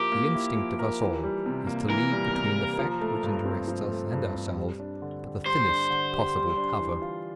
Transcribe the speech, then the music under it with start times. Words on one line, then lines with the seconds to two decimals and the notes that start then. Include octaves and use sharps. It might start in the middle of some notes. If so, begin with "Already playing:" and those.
The instinct of us all is to leave between the fact which interests us and ourselves but the thinnest possible cover.
Already playing: F3 A#3 E4 G4 A#4
0.12 A#3
0.34 E4
0.56 F3
0.79 A#4
1.01 E3
1.24 G3
1.46 C3
1.67 A#3
1.89 E3 A#4
2.12 G3
2.34 C3
2.57 A#3
2.78 F3
3.01 A3
3.23 G2
3.45 C4
3.68 F3
3.90 A3
4.12 G2
4.35 C4
4.57 G3
4.80 D4
5.02 D3
5.24 G4
5.45 G3 C5
5.68 D4
5.90 D3
6.13 G4
6.35 G3
6.57 D4
6.79 E3
7.02 F4